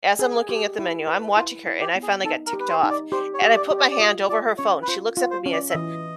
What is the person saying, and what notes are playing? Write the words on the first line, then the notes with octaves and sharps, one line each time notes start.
as I'm looking at the menu, I'm watching her, and I finally got ticked off, and I put my hand over her phone. She looks up at me and I said,
G#4
G4
E4
B4
E4 F4
E4
G4
B3
G#4
D#4 A4
A#4
G4
B4
C5
D#4
D5
G4 C5
C#5
G4
D5
G4
D5
D5
F4 D#5
F4 D5
C#4 C#5
B4
F4 C5
F4
C5
C#4
D5
E5
E3 D#5